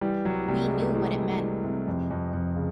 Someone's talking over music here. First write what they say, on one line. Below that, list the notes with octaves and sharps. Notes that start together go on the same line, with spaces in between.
We knew what it meant.
E3 G3
C2 F#3
C3 G3
G#3
C2
A3
E3 G#3
C2
E3
C3
F2
F2
F2
C#3